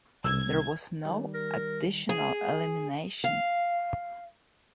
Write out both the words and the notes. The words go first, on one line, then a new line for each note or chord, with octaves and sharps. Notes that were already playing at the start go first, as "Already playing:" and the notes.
There was no additional elimination.
C2 E6 G#6
D#3 G3
A#4
G#4
F5